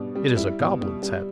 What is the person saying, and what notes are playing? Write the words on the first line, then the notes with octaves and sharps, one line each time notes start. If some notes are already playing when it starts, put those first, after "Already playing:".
It is a goblin's head.
Already playing: B2 G3 D4
G3
G3 E4
B2
G3
G3